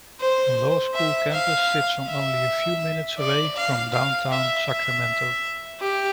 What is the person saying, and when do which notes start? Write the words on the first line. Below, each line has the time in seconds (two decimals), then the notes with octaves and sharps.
The law school campus sits on only a few minutes away from downtown Sacramento.
0.20 C5
0.94 E5
1.32 F5
2.07 E5
3.19 D5
3.56 F5
3.93 F5
4.31 E5
4.68 E5
5.80 G4